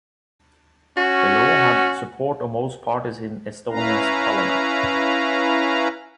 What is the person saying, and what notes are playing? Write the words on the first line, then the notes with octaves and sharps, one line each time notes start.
The law had the support of most parties in Estonia's Parliament.
C#4 F#4
C#4 E4 B4 F5 A#5